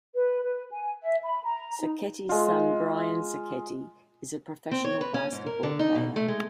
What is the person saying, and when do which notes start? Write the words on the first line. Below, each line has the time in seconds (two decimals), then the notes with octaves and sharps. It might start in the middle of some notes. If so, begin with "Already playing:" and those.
Sacchetti's son, Brian Sacchetti, is a professional basketball player.
0.15 B4
0.44 B4
0.71 G#5
1.02 E5
1.23 B5
1.44 A#5
1.80 D#4
2.29 G#3 F4
4.71 C4
4.85 C#5
5.01 B4
5.14 C#4
5.33 G#2
5.46 A#4
5.63 D3
5.79 D#4
5.95 B2
6.16 A3
6.28 G#3